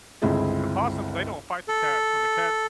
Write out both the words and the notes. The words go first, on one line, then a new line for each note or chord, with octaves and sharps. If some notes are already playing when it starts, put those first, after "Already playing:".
the possums, they don't fight the cats. When the cats
G1 C#2 C4 E4 G#4
A4